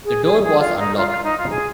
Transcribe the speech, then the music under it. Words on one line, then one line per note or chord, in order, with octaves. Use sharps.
The door was unlocked.
G#4
G#4
G#4
F4
D#4
F4
F4
D#4
F4
G#4